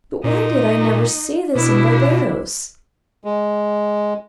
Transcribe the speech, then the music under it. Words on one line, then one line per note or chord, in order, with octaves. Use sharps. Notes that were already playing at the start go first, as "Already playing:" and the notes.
"But why did I never see this in Barbadoes?"
A#2 D#4
B2 D4 E4
G#3